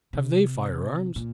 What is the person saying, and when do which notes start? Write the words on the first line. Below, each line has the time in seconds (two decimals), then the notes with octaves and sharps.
"Have they fire-arms?"
0.13 C3
1.16 A#2